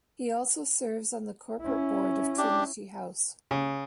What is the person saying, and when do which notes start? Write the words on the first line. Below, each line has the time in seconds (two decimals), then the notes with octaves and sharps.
He also serves on the Corporate Board of Trinity House.
1.61 C#4 E4
2.38 D4 G4
3.51 C#3